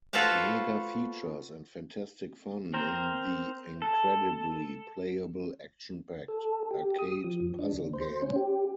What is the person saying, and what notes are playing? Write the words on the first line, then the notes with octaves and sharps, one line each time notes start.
Mega features and fantastic fun in the incredibly playable, action packed, arcade puzzle game!
F4 F#4 A4 B4 C5 F5
C4 A#4 C5
A4
A4
G4
D#6
F3
F2
D4
D2
C5
C#4
G4